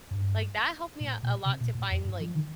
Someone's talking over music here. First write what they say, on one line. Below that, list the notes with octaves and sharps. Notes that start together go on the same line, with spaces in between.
like, that helped me out a lot to find, like,
G2
A2
A#2
C3
A#2
A2
F2
G2
F3
D#3